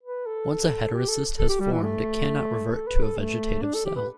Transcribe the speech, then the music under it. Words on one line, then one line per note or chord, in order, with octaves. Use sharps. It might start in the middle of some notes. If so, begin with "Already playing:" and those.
Once a heterocyst has formed it cannot revert to a vegetative cell.
B4
A4
G4
A4
A4
G4
G3
E3
A3
A4
B4
A4
A3
D4
A4
G4
B4